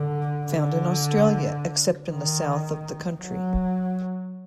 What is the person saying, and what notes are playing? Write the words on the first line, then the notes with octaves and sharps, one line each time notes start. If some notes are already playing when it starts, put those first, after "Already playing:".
Found in Australia except in the south of the country.
Already playing: D3
D3
D#3
F#3